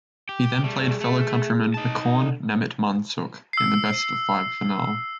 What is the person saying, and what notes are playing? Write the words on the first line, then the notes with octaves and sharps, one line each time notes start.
He then played fellow countryman Pakorn Nemitrmansuk in the best-of-five final.
G4
G3 A3 G#4
A3
D#4 A5
D3
E6 C7